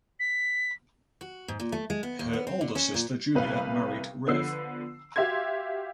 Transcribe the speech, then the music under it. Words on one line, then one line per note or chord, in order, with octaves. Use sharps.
Her older sister Julia married Rev.
B6
F#4
G#2
A#2
A3
G#3
B3
D#2
B3
C4
D3
C#4
A#2
C2 B4 F5
D3 F3 B3 E6 C7
F#4 G4 E5 F5 C6 G#6